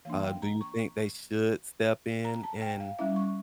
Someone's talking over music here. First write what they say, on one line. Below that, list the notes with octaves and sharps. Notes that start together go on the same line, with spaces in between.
Um, do you think they should step in and
E3 A#3 D4 F5
G5
A#5
C#6
A#5
A5
G5
F5
G3 C#4 E4 E5
C#6